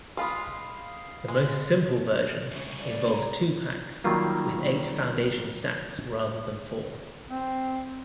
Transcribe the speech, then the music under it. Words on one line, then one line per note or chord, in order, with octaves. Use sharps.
The most simple version involves two packs, with eight foundation stacks rather than four.
G#3 F4 F5 B5 D#6
G#3
C2 C#3
D5
A#5
D#3 F#3 G3 A#3 F4
C4